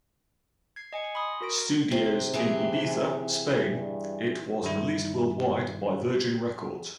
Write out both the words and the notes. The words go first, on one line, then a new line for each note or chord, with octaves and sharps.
Studios in Ibiza, Spain, it was released worldwide by Virgin Records.
G#6 C7
D#5 G#5 C#7
B5 C6 D#6
F#4 A#4 A#6 D7
C3 C4
E3 G4 G#4
G2
G2 D#3 E4